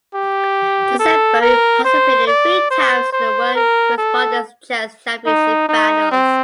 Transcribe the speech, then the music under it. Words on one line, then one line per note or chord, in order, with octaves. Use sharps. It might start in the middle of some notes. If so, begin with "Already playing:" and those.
Jozef Boey participated three times in the World Correspondence Chess Championship finals.
G4
A4
A#4
C5
D5
C5
C5
A#4
A4
D#4
D#4
C4